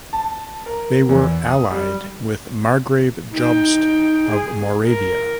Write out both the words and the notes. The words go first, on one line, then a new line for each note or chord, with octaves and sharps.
They were allied with Margrave Jobst of Moravia.
A5
A#4
E2
D#6
G3
D#4 G5
G#4
A#4